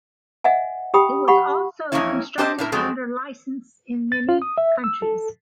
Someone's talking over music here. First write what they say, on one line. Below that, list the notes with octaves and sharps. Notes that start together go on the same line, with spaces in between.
It was also constructed under licence in many countries.
D#5 E5 F#5 G#5
G4 G5 B5 D#6
G4 F#5 B5 C#6
F2 G#2 E3 A#3 C#4 E4
C4 D4 G4 C5 D#5 A5
A2 E4 A#4
F2 F#3 G#3 C4 A4
A6
F4
D#6
E5
E6
A4